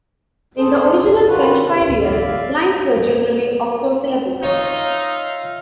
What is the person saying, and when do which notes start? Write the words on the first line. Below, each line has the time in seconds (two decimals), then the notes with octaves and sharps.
In the original French kyrielle, lines were generally octosyllabic.
0.58 G#4 A4 C5
1.28 D#3 F4 F#4 B4
1.63 C3
2.03 D5 E5 F5
4.43 D#4 F4 C#5 E5 F5